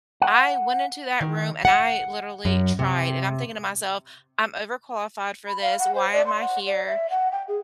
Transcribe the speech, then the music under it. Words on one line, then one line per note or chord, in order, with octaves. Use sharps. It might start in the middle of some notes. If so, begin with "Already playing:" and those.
I went into that room, and I literally tried, and I'm thinking to myself, "I'm overqualified for this. Why am I here?"
F#5
D#3
F#5
F#2
C3
B5
F5
F#5
C5
D5
C6
F#5
D5
E5
F#5
G5
G#4